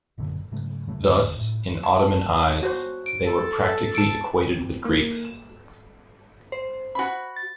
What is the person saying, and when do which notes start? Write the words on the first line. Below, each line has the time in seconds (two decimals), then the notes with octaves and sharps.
Thus, in Ottoman eyes, they were practically equated with Greeks.
0.18 G#1 F#2 A#2 D3
0.52 G#2 C#3 F#3 A3
0.87 F2 C#3 F#3 A3
1.08 G1 E2 D3
1.36 A2
1.83 A5
2.63 F#4 C5
3.06 D7
3.26 A4
3.95 A5 C#7 D7
4.45 C4
4.85 A#3
5.25 E7
6.52 C5
6.95 F#4 B5
7.36 A6